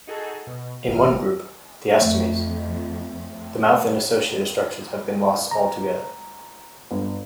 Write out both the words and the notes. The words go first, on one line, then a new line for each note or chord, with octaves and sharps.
In one group, the astomes, the mouth and associated structures have been lost altogether.
D#4 F#4 G#4 A4
B2
G1 E3 F6
F2 A3
A#5
G1